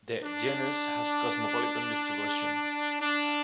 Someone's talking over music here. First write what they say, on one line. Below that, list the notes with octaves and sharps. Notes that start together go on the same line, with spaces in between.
The genus has cosmopolitan distribution.
D4
D4